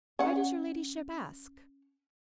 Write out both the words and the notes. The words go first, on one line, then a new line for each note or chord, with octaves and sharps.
"Why does your ladyship ask?"
C#4 F#5